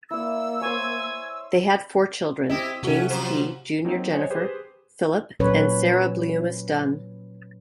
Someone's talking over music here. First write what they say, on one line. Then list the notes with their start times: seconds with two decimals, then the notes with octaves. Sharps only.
They had four children: James P., Junior Jennifer, Philip, and Sarah Bliumis Dunn.
0.11 A#3 E4 D5 E6
0.61 C5 C#5 G#5
2.50 C4 E4 G4 D#5
2.83 C3 A3 C#4 F#4
3.10 F3 F#3 C5
3.85 F#3 A#3 C4 D#4
4.13 C5 C#5 D#5 G#5
4.30 G4 G#4 B4 C5
5.40 A#2 F#3 C#4 B4 C#5